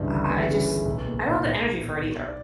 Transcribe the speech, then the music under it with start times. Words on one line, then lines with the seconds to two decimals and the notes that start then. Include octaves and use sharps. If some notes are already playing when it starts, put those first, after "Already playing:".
I I I just I don't have the energy for it either,
Already playing: C#2 G2 E3
0.10 G1
0.29 E3 B4
0.48 C#3
0.67 C#2
0.85 B1
1.04 A#2
1.24 B1
1.43 B1
1.62 B2
1.80 B1
1.99 B1
2.18 B2
2.28 D5